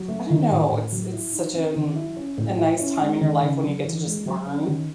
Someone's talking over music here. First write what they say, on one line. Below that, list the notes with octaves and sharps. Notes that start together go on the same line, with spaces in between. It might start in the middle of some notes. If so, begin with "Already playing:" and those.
I don't know, it's it's such an mm a nice time in your life when you get to just learn,
Already playing: F#3
A3
D#3
A2
A2
F#3
E4
D#4
C4
D#3
E4
C#4
A2
E4
C#4
G#3
D#3
C#3
F#3
E3
G#3
F#3
C#4
D#3